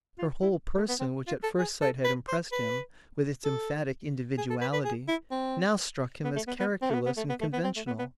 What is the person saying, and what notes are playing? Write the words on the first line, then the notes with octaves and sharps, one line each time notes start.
Her whole person, which at first sight had impressed him with its emphatic individuality, now struck him as characterless and conventional.
F4
E4
A3
B3
C4
F4
A4
G#4
A4
B4
C5
B4
A4
G#4
A4
B4
B4
G#4
E4
C4
B3
A3
B3
B3
C4
A3
B3
B3
A3
B3
A3
B3
C4
A3
B3
B3